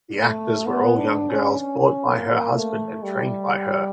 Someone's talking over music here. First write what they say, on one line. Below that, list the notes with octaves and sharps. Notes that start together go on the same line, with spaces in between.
The actors were all young girls bought by her husband and trained by her.
A3
B3
D4
C#4
C#4
A#3
A3
G3